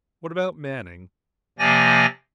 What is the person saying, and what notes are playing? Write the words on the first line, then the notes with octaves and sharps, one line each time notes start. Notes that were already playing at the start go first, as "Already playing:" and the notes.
"What about Manning?"
C3 F3 A#3 D5 G#5 A#6